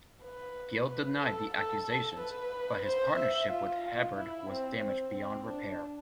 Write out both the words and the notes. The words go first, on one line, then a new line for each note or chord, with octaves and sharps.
Gill denied the accusations, but his partnership with Hebbard was damaged beyond repair.
B4
B4
A4
A4
A4
B4
C5
E5
F4
E4
C4
C4
C4
D4